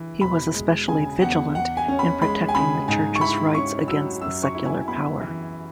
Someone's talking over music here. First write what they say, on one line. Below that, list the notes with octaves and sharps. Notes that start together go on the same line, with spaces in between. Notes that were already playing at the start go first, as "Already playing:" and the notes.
He was especially vigilant in protecting the Church's rights against the secular power.
Already playing: E3
E1 B5
G#3
C#3 G#5
E2 F#5
E2 F#5
G#5
C#4
B5
G#3 B5
G#5
C#3 B5
G#2 G#5
C#6
E4 B5
C#4 C#6
F#3 E6
F#2 E6
C#6
E4
G#5
B3 B5
E3